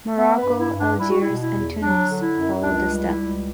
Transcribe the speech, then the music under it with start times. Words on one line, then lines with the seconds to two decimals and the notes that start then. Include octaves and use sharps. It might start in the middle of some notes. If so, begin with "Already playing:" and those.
Morocco, Algiers and Tunis followed this step.
0.17 B3 E5
0.38 B4
0.44 G2
0.58 E4
0.72 G2
0.79 D4
0.99 G3 E4
1.10 F#4
1.21 E4
1.26 B2
1.41 E4
1.53 E2
1.81 F#3 D4
2.08 D3
2.22 E4
2.36 F#2
2.63 C#2 D4
2.90 G3
3.04 E4
3.17 C#2